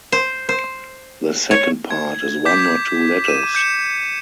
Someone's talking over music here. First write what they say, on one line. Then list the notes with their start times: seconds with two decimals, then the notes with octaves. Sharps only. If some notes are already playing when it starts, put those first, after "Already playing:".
The second part is one or two letters.
0.12 C5
0.49 C5
1.51 C#5
1.91 G#6
2.45 D6 G6 B6
3.24 D#7 E7
3.55 G6 C#7 E7